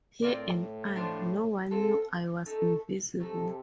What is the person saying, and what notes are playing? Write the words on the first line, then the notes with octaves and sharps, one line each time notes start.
Here am I... No one knew I was invisible!
A2 C4 F4 A#4 D5
D4 F4 C5
C4 F4 A4
A3 D#4 A4
C3 A3 D#4 A4